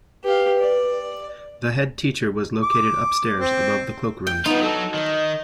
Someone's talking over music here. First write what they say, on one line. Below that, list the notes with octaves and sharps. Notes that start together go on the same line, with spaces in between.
The head teacher was located upstairs above the cloakrooms.
G4 B4 F5
D5
D6
C4
G5
G3 B3 D#4 F4
F#3 A4
D#3 D#5